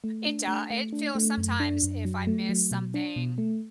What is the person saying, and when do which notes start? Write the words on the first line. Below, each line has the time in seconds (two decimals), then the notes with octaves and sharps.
It doe it feels sometimes, if I miss something,
0.04 A3
0.26 D4
0.48 A3
0.70 A3
0.93 D4
1.15 A3
1.38 F#2
1.60 D4
1.83 F#2
2.05 F#3
2.27 A3
2.49 F#3
2.71 B2
2.94 D4
3.16 B2
3.38 A3